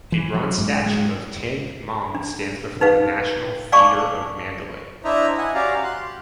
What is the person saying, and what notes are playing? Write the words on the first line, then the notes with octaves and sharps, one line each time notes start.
A bronze statue of Tin Maung stands before the National Theatre of Mandalay.
E3
F#3
G#2
G#3
D4
D#4 B4 F5
D5 F5 G#5 A5 C#6 D6
D4 E4 C5 D#5 E5 A#5
D#5 F#5 G#5
C#4 F#4 G4 D5 F5 A#5
C6 F#6
G4